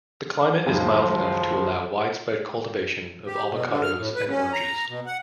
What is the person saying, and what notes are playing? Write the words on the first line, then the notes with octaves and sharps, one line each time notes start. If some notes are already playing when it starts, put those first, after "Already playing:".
The climate is mild enough to allow widespread cultivation of avocados and oranges.
C#2 F#2 D#3 F3
G4
B2
D3
F6
A2
B4
C#4
A#5
B2
F#5